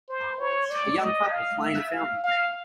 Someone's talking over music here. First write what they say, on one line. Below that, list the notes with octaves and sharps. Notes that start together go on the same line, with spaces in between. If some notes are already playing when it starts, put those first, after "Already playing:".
A young couple play in a fountain.
C5
C#5
D5
D#5
F5
E5
F5
F5